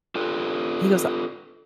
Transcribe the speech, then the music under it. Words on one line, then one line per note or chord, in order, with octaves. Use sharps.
he goes, uh
F4 A4 B4